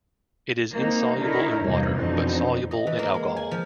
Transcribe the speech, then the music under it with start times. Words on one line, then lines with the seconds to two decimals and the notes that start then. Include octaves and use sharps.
It is insoluble in water, but soluble in alcohol.
0.73 A#3 C4 D#4
1.19 D3 D#4 E4 A#4 C#5
1.62 E2 G2 C3 A#3 D#4
1.96 F2 B2 D3 E3 C4 D#4
2.71 D#5
2.87 E3
2.99 A#3
3.14 G#3
3.36 G#5
3.51 F3